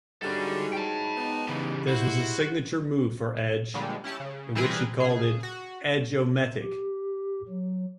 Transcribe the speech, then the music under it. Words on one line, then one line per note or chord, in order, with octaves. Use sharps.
This was a signature move for Edge, in which he called it "Edge-O-Matic".
G#2 F#3 G3 C#4 D4 E4 A4
G5 A5
B3 D#4
C#3 E3 G3
E4 F#4 C5
A#2 D3 F3 G3 G#3
C#4 E4 G4 A5
C#3
E3 G3 C4 G#4 A#4 B4
C#3 G#4
F#4
G4
F#3